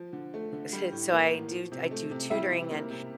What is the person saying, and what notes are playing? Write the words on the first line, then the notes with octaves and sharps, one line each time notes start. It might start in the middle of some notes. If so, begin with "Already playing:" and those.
d s so I do I do tutoring. And,
Already playing: F3
D3
A3
D3
G3
A2
A#3
A2
F3
C3
A3
C3
G3 E4 E5
C3
A#3
C3